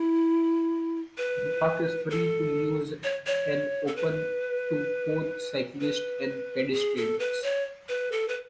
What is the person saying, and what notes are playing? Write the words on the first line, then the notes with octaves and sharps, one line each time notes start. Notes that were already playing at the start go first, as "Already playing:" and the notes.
The park is free to use and open to both cyclists and pedestrians.
Already playing: E4
B4
A4
C#5
C#5
A4
B4
B4
G#4
A4
B4
C#5
B4
A4
B4